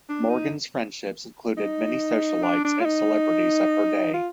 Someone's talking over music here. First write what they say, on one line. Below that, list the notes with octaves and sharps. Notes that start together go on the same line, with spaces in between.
Morgan's friendships included many socialites and celebrities of her day.
D4
D#4
D#4
D4
D4
F4
D#4
F4